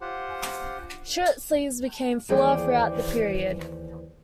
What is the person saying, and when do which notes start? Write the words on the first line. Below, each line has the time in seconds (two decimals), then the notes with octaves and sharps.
Shirt sleeves became fuller throughout the period.
0.01 F4 G4 C5 F#5
2.29 D#2 E3 G#4 C5 D5 G5